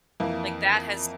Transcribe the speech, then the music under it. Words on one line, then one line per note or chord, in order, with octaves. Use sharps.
Like, that has
F2 E3 A#3 E4